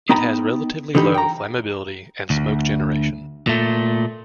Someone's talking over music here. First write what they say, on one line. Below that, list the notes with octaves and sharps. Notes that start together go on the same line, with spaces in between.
It has relatively low flammability and smoke generation.
B3 D#4 G5 A#5 B5
D3 E3 D#4 G4 B5
G5 A#5
D2
A#2 A3